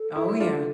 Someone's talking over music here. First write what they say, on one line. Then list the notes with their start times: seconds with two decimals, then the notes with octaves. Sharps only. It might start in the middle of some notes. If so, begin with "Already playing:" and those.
Oh, yeah.
Already playing: A4
0.16 E4
0.29 E4
0.40 D4 F4